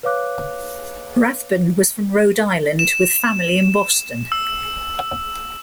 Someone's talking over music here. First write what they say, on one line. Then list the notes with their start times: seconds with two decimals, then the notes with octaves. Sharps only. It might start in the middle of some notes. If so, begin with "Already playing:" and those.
Rathbun was from Rhode Island with family in Boston.
0.03 B4 C#5 F5 D6 F#6
2.79 E7
4.32 E6